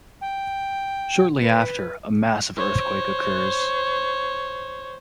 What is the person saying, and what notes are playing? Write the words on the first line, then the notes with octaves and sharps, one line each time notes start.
Shortly after, a massive earthquake occurs.
G5
B4
C5 C#5